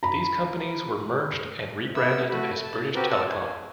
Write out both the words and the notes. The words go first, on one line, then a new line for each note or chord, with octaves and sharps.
These companies were merged and rebranded as British Telecom.
A#5 B5
B3 E5 E6
A3 F#4 B5
A5
C4 F#4 G4 A#4 B4
F#5 A5 E6
G#5